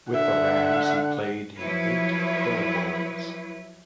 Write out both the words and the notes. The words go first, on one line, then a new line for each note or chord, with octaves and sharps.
With the Rams, he played in eight Pro Bowls.
D3 E5 F#5
F3 F#3 E4 B4 C#5